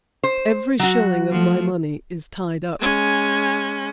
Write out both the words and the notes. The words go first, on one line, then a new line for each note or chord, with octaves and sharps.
Every shilling of my money is tied up.
C5
F#3 F#4
F3 A3
G#3 C#4